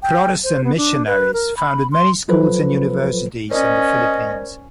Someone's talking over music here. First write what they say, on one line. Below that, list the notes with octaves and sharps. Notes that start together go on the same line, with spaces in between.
Protestant missionaries founded many schools and universities in the Philippines.
G5
C5
B3
D4
B4
A#4
B5
C6
F3 F#3 F4 A4 B4 C5
C#4 A#4 C5 D5 D#5